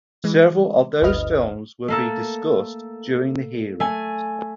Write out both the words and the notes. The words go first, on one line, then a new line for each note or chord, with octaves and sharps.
Several of those films would be discussed during the hearings.
E3 G#3
G1 D2 B4 D#5 F6
A3 A#3 A4
A3 G#5